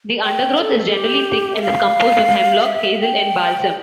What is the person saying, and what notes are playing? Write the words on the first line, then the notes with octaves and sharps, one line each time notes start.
The undergrowth is Generally thick and is composed of Hemlock, Hazel, and Balsam.
G5
A4
G4
E5
F5
E5
F5
G5